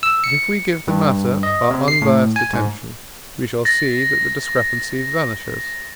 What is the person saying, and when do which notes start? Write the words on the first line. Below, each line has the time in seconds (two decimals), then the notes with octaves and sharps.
But if we give the matter our unbiased attention, we shall see that the discrepancy vanishes.
0.03 E6
0.24 C#7
0.87 G2
1.43 D#5
1.71 C3
1.88 C7
2.02 A2
2.36 G#5
2.53 G#2
3.65 A6 A#6